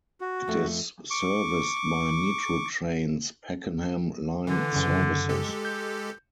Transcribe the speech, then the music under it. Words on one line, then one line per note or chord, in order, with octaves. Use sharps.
It is serviced by Metro Trains' Pakenham line services.
F#4
F2 A3
C#6 D6
D3 E3
F#2 C#3
G#3 G4 A4
G6